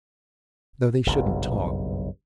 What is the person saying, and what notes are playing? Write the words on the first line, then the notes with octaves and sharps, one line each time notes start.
Though they shouldn't talk.
F#1 B1 G2